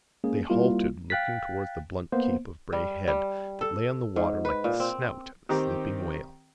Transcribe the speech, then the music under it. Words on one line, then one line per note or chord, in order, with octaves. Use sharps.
They halted, looking towards the blunt cape of Bray Head that lay on the water like the snout of a sleeping whale.
G#3 A#3 C#4 G#4
G3 A#3 E4 F4
F5 G5 F#6 A6 B6
A#3 B3 C5
G3
G3
A4
G#2
B4
A#2
C4
D#3 C4 G4 A#5